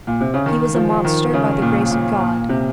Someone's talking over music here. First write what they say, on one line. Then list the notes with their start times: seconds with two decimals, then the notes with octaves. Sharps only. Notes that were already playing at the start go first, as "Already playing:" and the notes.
He was a monster by the grace of God.
0.07 A#2
0.21 C3
0.34 C#3
0.46 D#3
0.75 F3
1.05 D#3
1.34 C#3
1.62 A#2
1.91 A#2
2.20 A#2
2.49 C3